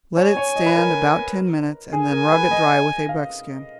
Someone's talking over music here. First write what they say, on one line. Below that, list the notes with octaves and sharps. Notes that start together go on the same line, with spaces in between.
Let it stand about ten minutes, and then rub it dry with a buckskin.
C#5 G#5
C#5
D#5
B4
A#4
G#4 G#5
A#4
B4
D#5
F5